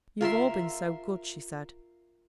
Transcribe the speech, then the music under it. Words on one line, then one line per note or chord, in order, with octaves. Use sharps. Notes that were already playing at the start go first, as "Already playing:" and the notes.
"You've all been so good!" she said.
F4 A#4 E5 C6